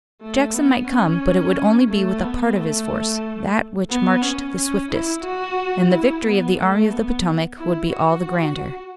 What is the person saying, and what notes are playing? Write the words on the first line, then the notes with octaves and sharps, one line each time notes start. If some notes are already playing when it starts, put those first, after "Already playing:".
Jackson might come, but it would only be with a part of his force, that which marched the swiftest, and the victory of the Army of the Potomac would be all the grander.
A3
B3
C#4
A3
B3
A3
B3
C#4
C#4
E4
F#4
E4
B3
A3
B3
E4
F#4